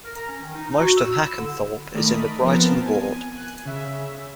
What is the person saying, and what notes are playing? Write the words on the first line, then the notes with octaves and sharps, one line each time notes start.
Most of Hackenthorpe is in the Beighton ward.
A#4
A#5
C#4
D#3
D#4
D#4
F#4
E6
E4
D3
D#3 A3 A#4 D5 B5 D#6
F3 B3 C4 A#4 A5
G#5
G#5 F#6
C#3 E5